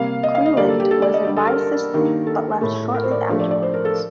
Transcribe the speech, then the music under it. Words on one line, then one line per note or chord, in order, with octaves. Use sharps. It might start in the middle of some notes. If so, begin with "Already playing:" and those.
Cleland was advised to stay but left shortly afterwards.
Already playing: C3 G3 A#3 F5
D#5
F5
D#5
G2 D3 G3 A#3 D5
A4
G4
A4
D5
D#5
G2 D3 G3 G4
A4
A#4
G2 D#3 A#3
A4
A2 A3
A#4
C5
D5
G2 F3 A3
D5
D5
C5
A#4
A4